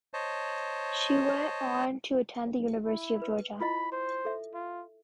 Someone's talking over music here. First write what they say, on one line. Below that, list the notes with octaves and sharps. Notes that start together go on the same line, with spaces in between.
She went on to attend the University of Georgia.
C5 C#5 D#5 A5
E4
B4
E4 F4 D#5 B5
C5
A4 E5
F4